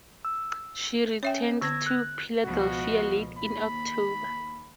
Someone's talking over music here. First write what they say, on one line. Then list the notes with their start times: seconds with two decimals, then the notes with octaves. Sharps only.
She returned to Philadelphia late in October.
0.25 E6
1.23 C#4 C#5 E5 G5
1.61 D3 B3 C#6 E6 G#6 A#6
1.86 F#6
2.45 C#2 B2 F3 F#4
3.38 D#2 B5